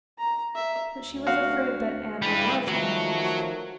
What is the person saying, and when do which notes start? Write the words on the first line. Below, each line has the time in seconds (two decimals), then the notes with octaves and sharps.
But she was afraid that Anna was in earnest.
0.19 A#5
0.55 E5
1.04 D2
1.27 F#4 F5
2.22 C#3 E3 G3 E4 B4
2.68 D#3 F3 F#3 A3